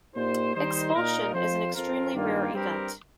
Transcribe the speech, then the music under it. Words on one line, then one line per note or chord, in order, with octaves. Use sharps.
Expulsion is an extremely rare event.
A#2 A#3 D#4 G4 C5
D#3 G3 D#4 C5
A#2 A#3 D#4 A#4
F2 F3 C4 F4 C5
F2 F3 C4 F4 A#4
G2 D#3 A#3 F4
G2 G3 C4 G4 A#4